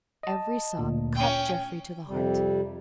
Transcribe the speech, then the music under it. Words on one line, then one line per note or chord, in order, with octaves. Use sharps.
Every sob cut Jeffrey to the heart.
D#5 A5
D2 A#2
C#4 G5
F2 C3 G3